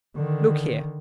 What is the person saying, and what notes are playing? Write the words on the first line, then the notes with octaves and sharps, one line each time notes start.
Look here!
D3 D#3